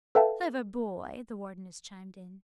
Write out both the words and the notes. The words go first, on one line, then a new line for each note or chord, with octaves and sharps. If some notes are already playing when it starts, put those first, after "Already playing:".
"Clever boy!", the Wardeness chimed in.
A4 B4 E5 F5 G5 A5